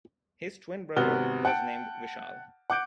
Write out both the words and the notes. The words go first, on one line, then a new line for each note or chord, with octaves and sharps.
His twin brother was named Vishal.
G#1 C3 B3 F#4 F6 G7
F#5 G5 A5 D7
F#5 D6 G6 D7